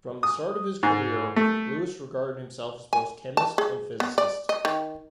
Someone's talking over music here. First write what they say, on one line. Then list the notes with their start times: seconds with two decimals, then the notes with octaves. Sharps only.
From the start of his career, Lewis regarded himself as both chemist and physicist.
0.23 D#6
0.83 G#2
1.36 A3
2.93 G#5
3.37 A5
3.58 G#4
4.00 B3
4.18 D5
4.49 D#5
4.65 D#3